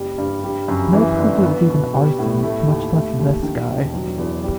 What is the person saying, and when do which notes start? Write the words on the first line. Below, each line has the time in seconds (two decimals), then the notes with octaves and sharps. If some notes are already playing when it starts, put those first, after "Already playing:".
No proof it was even arson much less this guy.
Already playing: F#1 G3
0.18 G2
0.44 G3
0.68 F#2
0.93 E3
1.18 G1
1.43 B3
1.69 B2
1.93 G3
2.19 A2
2.43 A3
2.67 D#2
2.93 A3
3.19 D#2
3.43 D#3
3.68 E1
3.93 F#3
4.18 E2
4.43 G3